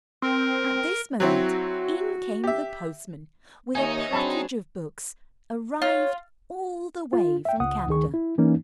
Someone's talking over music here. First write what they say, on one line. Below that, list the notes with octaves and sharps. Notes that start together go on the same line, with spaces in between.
At this moment in came the postman with a package of books, arrived all the way from Canada.
C4 A#4
F#3 C4 E4 F#4
G4 E5
D#2 D#4 C#5 D#5 E5 G#5
F#3 C4 D4 G#4 C#5 A5 B5
F4 C#5
F4
E5 G5
C#2 F#5 D#6
D2 D#3 G#4 C#6
E4
E3 A#3 C#4 D#4